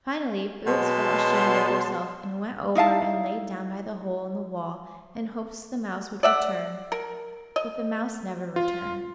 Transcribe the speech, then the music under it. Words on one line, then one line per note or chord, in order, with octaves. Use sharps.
Finally Boots felt ashamed of herself and went over and lay down by the hole in the wall in hopes the mouse would return, but the mouse never returned.
B2 F#3 G#3 A5 C6
D#4 E4 F5 A5
D5 E5 F#5
A#4
D#5
F4